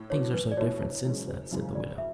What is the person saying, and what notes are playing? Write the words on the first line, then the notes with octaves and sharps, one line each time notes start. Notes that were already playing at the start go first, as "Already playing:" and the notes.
"But things are so different since that," said the widow.
Already playing: A2
F#3 B3 D4 C#5
E2 B4
D5
B2 A3 E4 C#5
F#1
F#2 E3 G#3 C#4
F#1
F#2 C#3 E3 G#3
D2 D5
E5